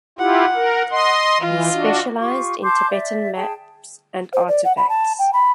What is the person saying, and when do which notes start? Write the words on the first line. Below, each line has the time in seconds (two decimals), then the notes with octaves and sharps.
He specialised in Tibetan maps and artefacts.
0.19 E4 F4 G4 F#5
0.55 A#4
0.91 D#5 C6
1.41 E3 F4 D#5
1.72 D4 F#4
2.19 F4 G4 C#6
2.63 A5 C6 D6 G6
2.91 D5 E5
3.36 G#4 G5 A5
4.33 C5
4.48 D5
4.65 F#5
4.77 B5
4.89 A5
5.19 G5
5.33 B5